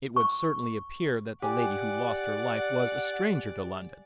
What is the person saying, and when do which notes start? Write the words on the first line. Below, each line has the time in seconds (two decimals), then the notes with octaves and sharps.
"It would certainly appear that the lady who lost her life was a stranger to London."
0.16 C#6
1.42 G4 D5 F#5 G#5